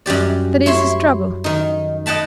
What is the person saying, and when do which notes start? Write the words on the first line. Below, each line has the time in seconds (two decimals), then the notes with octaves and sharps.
'That is his trouble.
0.06 F#2 G3 G4 D5
0.66 E4 C#5 C6
1.44 D#3 D#4
2.06 D#5 F#5 G5 A5 B5